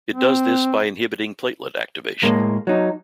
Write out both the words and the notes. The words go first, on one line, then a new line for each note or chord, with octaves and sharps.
It does this by inhibiting platelet activation.
C4
A2 G#3 A#3
F#3 D#4